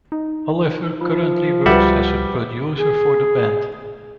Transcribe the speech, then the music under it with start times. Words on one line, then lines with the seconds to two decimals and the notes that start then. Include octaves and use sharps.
Oliver currently works as a producer for the band.
0.12 D#4
1.01 F3 B5
1.66 C#2 G3 F#4 G4 B4 E5 F#5
2.77 G#4